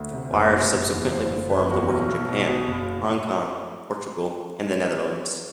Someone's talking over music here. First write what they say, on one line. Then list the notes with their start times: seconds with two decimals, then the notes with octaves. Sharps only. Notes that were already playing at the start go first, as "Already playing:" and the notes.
The choir subsequently performed the work in Japan, Hong Kong, Portugal, and the Netherlands.
Already playing: D2
0.13 C3
0.32 F#1 B4
0.53 B2
0.72 F#1
0.92 E2
1.11 F#1 C5
1.30 D3 C5
1.50 F#1 B4
1.71 E2 F#4
1.89 B1 F#4
2.08 B1
2.29 B2
2.48 B2
2.68 F#1